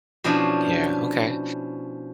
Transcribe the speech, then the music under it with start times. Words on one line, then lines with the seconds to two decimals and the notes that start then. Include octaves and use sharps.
Yeah, okay.
0.24 B2 F3 C#4 D4 E4